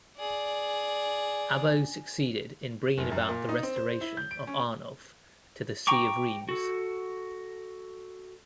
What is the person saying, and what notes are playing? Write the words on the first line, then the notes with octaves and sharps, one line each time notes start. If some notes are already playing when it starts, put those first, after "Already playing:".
Abbo succeeded in bringing about the restoration of Arnulf to the see of Reims.
G#4 D5
F#1
F#2
A#2
D#4
C4
C5
E4
G6
D7
C#4
G5 A#5 C#6 D6
F#4 A4